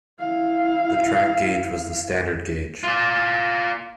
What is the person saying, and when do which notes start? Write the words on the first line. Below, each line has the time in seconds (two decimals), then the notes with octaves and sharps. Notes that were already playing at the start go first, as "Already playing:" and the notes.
The track gauge was the standard gauge.
0.20 E4 F5
2.84 F4 D5